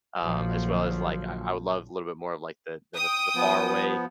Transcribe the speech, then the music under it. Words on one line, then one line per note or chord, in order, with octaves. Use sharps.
um, as well as, like, I I would love a little bit more of, like, the the the faraway,
A#1 A#2 D3 F3 F#3
G5 D#6
F3 B3